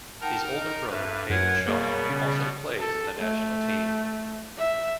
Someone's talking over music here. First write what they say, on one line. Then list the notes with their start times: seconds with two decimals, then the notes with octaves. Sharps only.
His older brother Hayden Shaw also plays in the national team.
0.21 D#4 A#4 F#5 G5 A5 A#5
0.53 D#5
0.90 G2 A4 B4 E5
1.30 F#2 A#4 B4 C#5 F#5 G6 G#6
1.67 B2 G3 A#3 B3 G#4 C#5 B5
2.10 C#3
2.79 A4
3.17 A3
4.58 E5